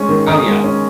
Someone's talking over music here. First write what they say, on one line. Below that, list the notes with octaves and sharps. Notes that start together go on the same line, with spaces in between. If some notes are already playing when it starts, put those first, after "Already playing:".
Oh, yeah.
Already playing: G#3 C#4 G#5 C#6
D#3
D#3 A#5 D#6
G#3
C#4